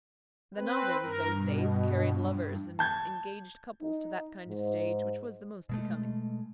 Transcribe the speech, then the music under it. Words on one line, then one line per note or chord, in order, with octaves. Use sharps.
The novels of those days carried lovers and engaged couples to that kind of stage which was the most becoming.
C4 B4
G2 A#4
B2
A5 G6 G#6
D#4
G#2
B2 G#3 A3